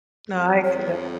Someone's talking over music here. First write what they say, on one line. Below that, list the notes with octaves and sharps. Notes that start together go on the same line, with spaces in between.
No, I get that.
F2
F2 C#5
E2
C5
F2